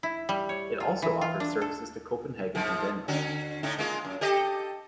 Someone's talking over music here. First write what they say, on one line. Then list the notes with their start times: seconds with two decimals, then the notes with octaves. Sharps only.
It also offers services to Copenhagen in Denmark.
0.03 E4
0.29 G3
0.49 C#5
0.80 F4
1.02 E3
1.21 F4
1.40 D4
1.62 A4
2.55 G#2 F3
3.08 D3 C#4 F#4
3.63 A2 D3 D#4
3.78 G#3 A#3 F4
4.05 F#2
4.21 G4 A4 D#5